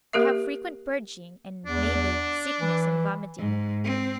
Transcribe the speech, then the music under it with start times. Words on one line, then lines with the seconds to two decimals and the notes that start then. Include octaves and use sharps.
We have frequent purging and, maybe, sickness and vomiting.
0.13 A#3 G4 A#4 E5
1.66 E2 D4
2.60 E3
3.37 G#2
3.84 C4